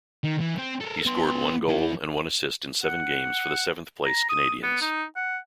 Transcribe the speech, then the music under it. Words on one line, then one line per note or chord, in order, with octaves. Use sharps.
He scored one goal and one assist in seven games for the seventh-place Canadians.
D#3
E3
C4
A4 A#4
B3 C6
E2 E4
F#5
A#5
D#6
B3
D#4
F#5